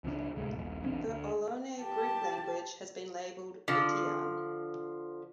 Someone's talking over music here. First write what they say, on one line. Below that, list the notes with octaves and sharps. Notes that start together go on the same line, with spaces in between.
The "Ohlone" group language has been labeled Utian.
C#2 F3 A#3 D4
D1 C2 A2 G#3
D#1 A#1
A#1 E2 C4 D4
D2
G4 A5
D3 F3